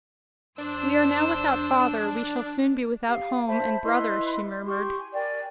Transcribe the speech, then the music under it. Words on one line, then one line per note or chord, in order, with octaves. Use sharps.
"We are now without father: we shall soon be without home and brother," she murmured.
F2 D4 C5 E6
G4 F5
C5 E5 A5 B5
E4 B4 D#5 C6
G4 C6 C#6
G#5
A#4 D5 G5 G#5